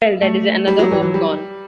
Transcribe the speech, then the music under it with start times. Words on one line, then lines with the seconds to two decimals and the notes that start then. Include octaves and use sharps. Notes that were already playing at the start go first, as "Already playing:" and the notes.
Well, that is another hope gone.
0.22 A3
0.68 G3
0.79 F#3
0.92 E3
1.03 F#3
1.14 G3